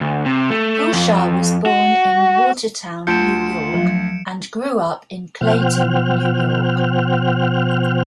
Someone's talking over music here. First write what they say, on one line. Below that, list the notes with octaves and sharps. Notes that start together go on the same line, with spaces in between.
Bouchard was born in Watertown, New York and grew up in Clayton, New York.
D2
C3
A3
F2
F#4
D2 F4 A5 G6 C#7 D7 E7
F3 F#3
B2 F3 C5 F#5 G5 F6